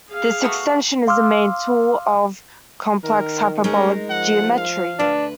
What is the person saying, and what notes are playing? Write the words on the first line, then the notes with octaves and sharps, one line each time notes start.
This extension is the main tool of Complex Hyperbolic Geometry.
G#4 F5
A3 B3 F#4
F5 C6 D6 E6 F6
D#3 A#4
G#3 C#4 D#4 A#4
F3 F#5
F5
D2 D4 B4